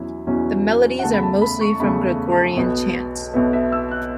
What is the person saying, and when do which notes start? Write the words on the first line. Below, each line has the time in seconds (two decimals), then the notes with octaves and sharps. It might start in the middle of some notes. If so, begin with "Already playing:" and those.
The melodies are mostly from Gregorian chant.
Already playing: E2 B2 F#3 C#4 E4
0.27 E2 B2 F#3 C#4 E4
0.99 F#5
1.03 E2 C#3 A3 A5
1.13 B5
1.23 A5
1.42 B5
1.61 C#6
1.80 E2 C#3 A3 B5
2.32 A5
2.57 B1 B2 B3
3.34 B1 B2 B3 E5
3.53 E5
3.72 E6
3.91 F#6